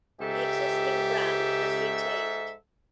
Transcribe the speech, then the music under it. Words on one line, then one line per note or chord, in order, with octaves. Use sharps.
The existing brand was retained.
C#2 G#2 G4 A4 E5